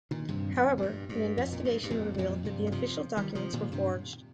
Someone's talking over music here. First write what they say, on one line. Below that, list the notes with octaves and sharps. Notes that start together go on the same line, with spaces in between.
However, an investigation revealed that the official documents were forged.
A#2 D#3
G2 C3
F2
A#2
G2
G2
F2
A#2
G2
G2
F2 A#2
C3
F2 A#2
G2 C3
G3
C3 F3
D#3 G3
C3 F3
A#2 D#3
G2 C3